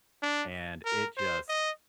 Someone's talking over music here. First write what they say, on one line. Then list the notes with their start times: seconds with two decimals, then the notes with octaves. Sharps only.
and it just
0.22 D4
0.85 A#4
1.17 C5
1.49 D#5